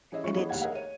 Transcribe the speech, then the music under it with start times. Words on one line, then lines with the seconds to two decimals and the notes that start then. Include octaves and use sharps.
and it's
0.12 E3 C#4 G#4 D#5 E5
0.24 F3 C#4 F4 C#6
0.35 E3 B3 G#4 A4 C#5 D#5
0.49 F1 D#2 F#5 G#6
0.62 G#4 A#4 C#5 D#5 E5 F#5
0.75 C#5 D#7